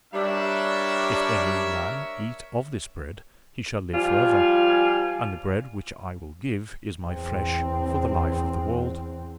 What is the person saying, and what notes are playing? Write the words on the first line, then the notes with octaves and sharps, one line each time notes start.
If any man eat of this bread, he shall live forever; and the bread which I will give is My flesh, for the life of the world....
G3 D4 A#4 C#5 E5
F3 G3 F4 G#5
E2 C4